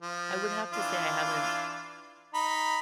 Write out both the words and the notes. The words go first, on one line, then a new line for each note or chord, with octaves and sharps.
I would have to say I haven't
F3
E3 D4 F4
D#4 B5